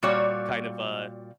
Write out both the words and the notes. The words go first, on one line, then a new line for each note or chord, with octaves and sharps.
kind of, uh,
A#2 G3 A#3 F#4 C#5